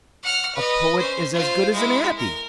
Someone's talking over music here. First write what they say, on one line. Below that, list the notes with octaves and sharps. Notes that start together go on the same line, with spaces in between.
A poet is as good as an abbe.
F#5 F6
B4 D#5
C#4 C5
F4 C5
G#3 E4
A#4